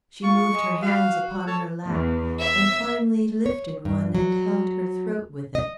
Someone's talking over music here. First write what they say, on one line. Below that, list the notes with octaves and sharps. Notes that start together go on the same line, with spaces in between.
She moved her hands upon her lap, and finally lifted one and held her throat with it.
F4 C#6
G#3
F#4 F5
A4 C#5
E2
E5
C#5
G2
F#3
D#5